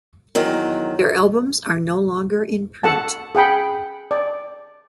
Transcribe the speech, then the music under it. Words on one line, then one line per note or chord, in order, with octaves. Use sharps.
Their albums are no longer in print.
E2 D#3 F#3
A4 F#5 A5
G#4 F#5 G5 B5
D5